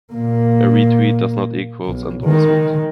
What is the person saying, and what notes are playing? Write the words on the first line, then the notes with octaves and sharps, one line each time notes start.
A re-tweet does not equals endorsement.
A#2 A#3
B1
D#3 G#3